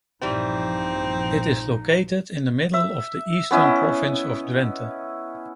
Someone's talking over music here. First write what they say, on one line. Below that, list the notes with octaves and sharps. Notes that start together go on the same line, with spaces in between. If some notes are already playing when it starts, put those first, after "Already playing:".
It is located in the middle of the eastern province of Drenthe.
A#1 G2 E3 F3 G3 C4 D#4
E5
B3 C#4 E4 D#5